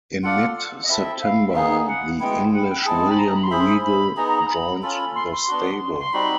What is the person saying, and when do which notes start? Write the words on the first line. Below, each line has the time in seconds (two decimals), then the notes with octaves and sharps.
In mid September, the English William Regal joined the stable.
0.23 F4 A4 D5 F5 F#5
0.83 D#5
0.88 C4 E4 A4 E5
1.22 F5
1.48 E5
1.54 B3 D#4 G#4 F5
1.87 F#5
2.20 G#3 B3 E4 G5
2.52 F#5
2.69 G5
2.85 G#3 C4 E4 G#4 A5
3.10 B5
3.18 A#5
3.34 B5
3.43 C6
3.51 E4 G#4 C5 E5 B5
3.84 B5
4.16 B3 D#4 G#4 A#5
4.27 A#5
4.38 A#5
4.49 B5
4.82 C#4 F4 A4 B5
5.15 C6
5.32 C6
5.48 B3 D4 F#4
6.00 C6
6.13 G3 C4 D#4 F#4 B5